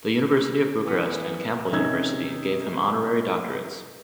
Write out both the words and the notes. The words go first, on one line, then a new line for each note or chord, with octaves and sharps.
The University of Bucharest and Campbell University gave him honorary doctorates.
E3 B3
C3 C#4 D#4 E6 G#6